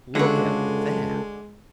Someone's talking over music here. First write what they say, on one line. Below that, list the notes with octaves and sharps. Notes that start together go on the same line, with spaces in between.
"Look at that!"
C#2 D3 G#3 F#4 A4